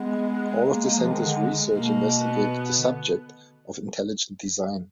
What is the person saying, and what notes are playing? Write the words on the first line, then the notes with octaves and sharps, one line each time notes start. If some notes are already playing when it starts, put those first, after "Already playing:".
All of the center's research investigated the subject of intelligent design.
Already playing: G#3 B3
G#3 A#3
A#3
F3
D#3
D3
B2 A#3
B3
D3